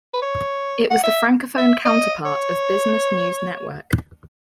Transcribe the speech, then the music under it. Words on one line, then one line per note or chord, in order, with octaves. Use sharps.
It was the francophone counterpart of Business News Network.
B4
C#5
F#5
E5
E5
D#5
C#5